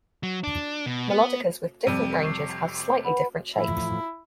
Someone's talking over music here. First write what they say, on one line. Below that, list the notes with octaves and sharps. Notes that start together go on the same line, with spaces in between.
Melodicas with different ranges have slightly different shapes.
F#3
D4
B2
B3
F2 C3 G3 D#7
C#6 C7
B4 F#5 B5
A2 E3 F3 E4